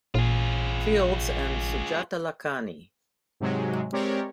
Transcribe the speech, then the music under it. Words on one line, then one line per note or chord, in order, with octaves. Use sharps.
Fields and Sujata Lakhani.
A1 A#2 F4 G#4
G#2 C3 F#3 G#3
G#3 C4 G4 A#4 C#5 D5